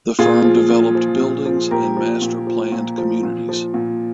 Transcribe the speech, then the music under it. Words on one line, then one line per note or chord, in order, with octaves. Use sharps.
The firm developed buildings and master planned communities.
A#2 F4 G#4
F3
A#2
F3
A#2
F3
A#2 G4 A#4
F3
A#2
F3
A#2
F3
A#2
F3
A#2